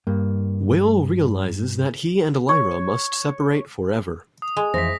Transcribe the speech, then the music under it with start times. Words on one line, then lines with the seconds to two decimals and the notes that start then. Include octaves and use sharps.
Will realises that he and Lyra must separate forever.
0.07 G2 A#3
2.49 C#5
4.42 D#6
4.57 G#3
4.74 F2 E3 C5 A#6 B6